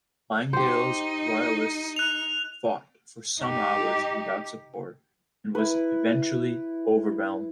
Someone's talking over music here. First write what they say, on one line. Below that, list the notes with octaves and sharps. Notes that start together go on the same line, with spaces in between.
Langdale's Royalists fought for some hours without support and was eventually overwhelmed.
D#4 G4 C5
F#6 F7
D#4 G4
E4 B4